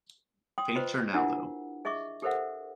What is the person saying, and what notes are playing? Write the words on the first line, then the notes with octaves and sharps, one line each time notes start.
Fainter now, though.
G5 C6 D#6
F4 B4 C5 D#5 C6
D4 E4 F4 G4 A#4 F#5
G#4 D#5 E5 C#6 D6
G4 A4 A#4 C5 E5 F#5